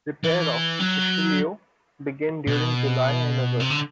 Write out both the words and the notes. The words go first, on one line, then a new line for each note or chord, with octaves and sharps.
Repair of "Richelieu" began during July and August.
E3
F#3
B2
C3
D3